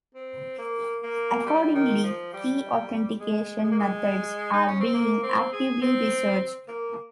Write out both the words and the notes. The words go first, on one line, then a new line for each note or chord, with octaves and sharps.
Accordingly, key authentication methods are being actively researched.
C4
A#3
A#3
G3
D#3
F3
G3
G#3
G#3
A#3
G#3
D#4
C#4
C4
A#3
C4
G#4
C4
A#3